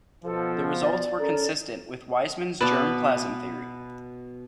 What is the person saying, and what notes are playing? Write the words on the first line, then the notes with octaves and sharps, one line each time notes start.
The results were consistent with Weismann's germ plasm theory.
B2 F3 A4
D5
C#4 A4 A#4
B2 B4 D5 F5 A5